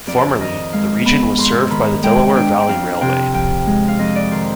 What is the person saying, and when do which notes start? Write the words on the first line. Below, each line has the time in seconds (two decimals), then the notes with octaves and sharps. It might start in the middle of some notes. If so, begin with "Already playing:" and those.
Formerly, the region was served by the Delaware Valley Railway.
0.07 F2 D5
0.40 D#3 D#5
0.73 G#3 F5
1.05 B3 B5
1.38 G#2 C6
1.70 D#3 B5
2.03 G#3 G5
2.36 D4 G5
2.60 G5
2.68 F2 F5
3.01 C3 G5
3.34 F3 G5
3.67 G#3
3.88 F5
3.99 F2 D#5
4.16 D5
4.32 D#3 C5